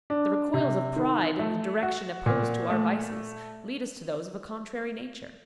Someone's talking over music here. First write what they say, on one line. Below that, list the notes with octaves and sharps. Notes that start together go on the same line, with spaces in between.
The recoils of pride in the direction opposed to our vices lead us to those of a contrary nature.
D4
C3
D#3
A3
F#4
A#2
A3